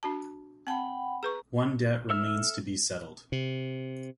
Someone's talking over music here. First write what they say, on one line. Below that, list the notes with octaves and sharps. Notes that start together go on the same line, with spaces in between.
One debt remains to be settled.
D4 F#4 A5
C4 F#5 G5 A5 B5
G#4 B4 A#5 C#6
A4 E5 E6 F6
C3